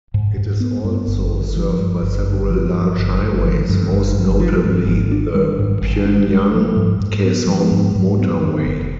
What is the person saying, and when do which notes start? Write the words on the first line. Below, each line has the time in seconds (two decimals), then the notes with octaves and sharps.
It is also served by several large highways, most notably the Pyongyang-Kaesong Motorway.
0.14 G#2
0.37 G#2
0.60 B3
0.84 G2
1.08 G1
1.32 G1
1.56 F3
1.79 G2
2.03 G1
2.27 G1
2.50 F3
2.74 G2
2.98 G1
3.22 G1
3.45 F3
3.69 G2
3.92 G1
4.16 G1
4.40 F3
4.64 G#2
4.87 G#1
5.12 D4
5.35 G3
5.59 G#2
5.82 G#1
6.05 D4
6.29 G3
6.54 F3
6.76 G#2
7.00 G#2
7.25 B3
7.47 F3
7.71 G#2
7.95 G#2
8.19 B3
8.43 F2
8.66 F1